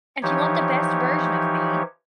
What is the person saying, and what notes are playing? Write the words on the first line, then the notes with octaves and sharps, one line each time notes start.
if you want the best version of me,
E3 F3 D#4 G4 C#5